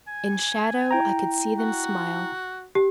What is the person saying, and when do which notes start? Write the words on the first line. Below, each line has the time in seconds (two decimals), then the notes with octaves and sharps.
In shadow, I could see them smile.
0.07 G#5
0.91 E4 G5 A#5
1.58 F#4
2.75 G4